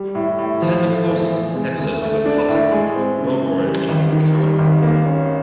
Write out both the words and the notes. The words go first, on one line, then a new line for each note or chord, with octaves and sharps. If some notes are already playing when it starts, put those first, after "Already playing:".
It has a close nexus with Cossack, Roebourne and Karratha.
Already playing: G3
A2
A2
F3
A3
E2
E3
G#3
D2
A3
D4
A2
G#3
C4
C#3
E3
G3
G#1
D#3
G3
G#1
A#3
C#4